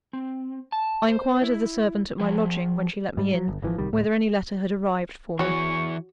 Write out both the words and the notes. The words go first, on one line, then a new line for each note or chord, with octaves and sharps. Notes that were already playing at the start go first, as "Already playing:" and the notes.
I inquired of the servant at my lodging, when she let me in, whether any letter had arrived for me.
C4
A5
C5
E4
F3 G#4
G#2 G3
F#3
G1
G#1 E3 F3
D1 C2 D#3 G3
D1 A2
E3 F#4 G#4 C#5 C#6